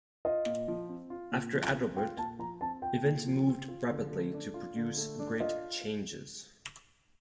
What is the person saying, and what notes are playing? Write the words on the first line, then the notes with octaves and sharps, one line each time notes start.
After Adalbert events moved rapidly to produce great changes.
F4 D#5
A#2
F3
C4
F4
A#2
F3
C4
F4 G5
A#2 A5
F3 A#5
C4 A5
F4 G5
A#2
F3
C4
F4
D3
A3
D4
F4
D3
A3
D4
F4 D#5